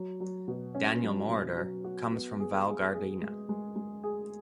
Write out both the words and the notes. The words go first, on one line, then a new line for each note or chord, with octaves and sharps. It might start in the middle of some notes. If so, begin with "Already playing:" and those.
Daniel Moroder comes from Val Gardena.
Already playing: F#3
F#3
B2
C#4
F#3
B2
F#3
F#4
B3
G#4
G#4
G#4
G#3
G#3
G#3
G#4